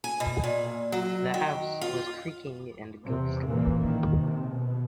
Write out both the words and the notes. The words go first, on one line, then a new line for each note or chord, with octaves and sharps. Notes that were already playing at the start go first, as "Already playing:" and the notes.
The house was creaking and ghostly.
G#5
B2
A#2
F#3
D#3
F4
E2 C3
A1 A#2 E3 A#3
D#3
C3
B2